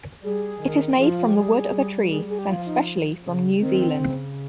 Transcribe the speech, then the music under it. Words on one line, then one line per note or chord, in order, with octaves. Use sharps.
It is made from the wood of a tree sent specially from New Zealand.
G3 G#4
D#3
F3 G#4
F4
F4
G4
G3 G#4
G3
G#4
G#4
G4
F3 F4
D#4
C#3
D#3 C4
C#3